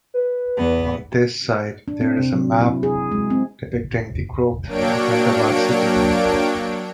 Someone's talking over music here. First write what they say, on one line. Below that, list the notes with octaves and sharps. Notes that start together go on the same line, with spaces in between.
On this site there is a map depicting the growth of Ahmedabad city.
B4
E2 B3
D4
C4
C3
F#3
E4
G#4
G#3
C4
F#3 A#3 D4 C#5 G5 D7